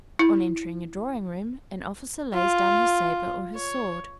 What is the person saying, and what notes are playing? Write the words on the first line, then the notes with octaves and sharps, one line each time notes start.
On entering a drawing room, an officer lays down his sabre or his sword.
E4
F4
C#5